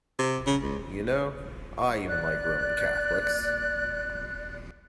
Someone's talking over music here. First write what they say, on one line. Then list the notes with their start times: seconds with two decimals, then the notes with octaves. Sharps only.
You know, I even like Roman Catholics.
0.19 C3
0.47 C#3
0.62 C#2
2.08 D5 F#6